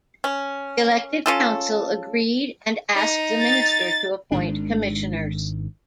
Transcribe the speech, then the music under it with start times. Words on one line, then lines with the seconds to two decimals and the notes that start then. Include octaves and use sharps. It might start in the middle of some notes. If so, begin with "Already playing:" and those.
The elected council agreed and asked the Minister to appoint commissioners.
0.24 C#4
1.26 C#4 F4 A4
2.95 D#4
3.42 A6
4.32 G#1 G#2 D#3 D4